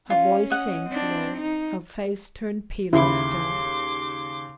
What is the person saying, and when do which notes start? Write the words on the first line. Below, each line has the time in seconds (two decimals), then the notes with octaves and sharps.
Her voice sank low; her face turned paler still.
0.10 C#4 F4
0.50 D#5 F#5
0.90 C4 D4
1.37 D#4
2.93 D#2 C#3 E4 C6 D6